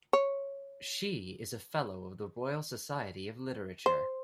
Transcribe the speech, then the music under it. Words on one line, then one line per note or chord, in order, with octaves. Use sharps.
She is a Fellow of the Royal Society of Literature.
C#5
C5